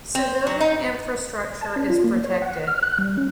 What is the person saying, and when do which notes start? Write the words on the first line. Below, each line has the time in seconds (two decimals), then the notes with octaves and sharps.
Civilian infrastructure is protected.
0.15 C4
0.47 F#3
0.60 D#4
1.61 A5
1.76 C#4
1.90 F4
2.04 A#3
2.24 C#5
2.42 F#5
2.67 F6
2.83 F#6
2.99 G3
3.18 C#4